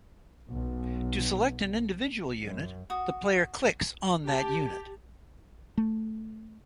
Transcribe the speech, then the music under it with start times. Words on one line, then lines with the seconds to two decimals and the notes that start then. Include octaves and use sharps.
To select an individual unit, the player clicks on that unit.
0.51 B1
2.40 F#2
2.90 F#4 D#6
4.27 G4 A5
5.78 A3